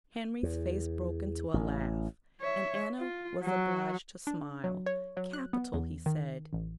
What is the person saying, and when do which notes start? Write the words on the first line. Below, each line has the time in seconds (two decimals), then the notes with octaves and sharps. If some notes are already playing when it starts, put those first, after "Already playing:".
Henry's face broke into a laugh, and Anna was obliged to smile. 'Capital!' he said.
0.43 E2
1.54 A1
2.41 C#5 E5
2.98 F4
3.43 F#3 F#4
4.27 D4
4.64 F#3
4.86 C#5
5.17 F#3
5.33 F#6
5.53 B3
5.73 E2
6.06 D#3
6.53 A1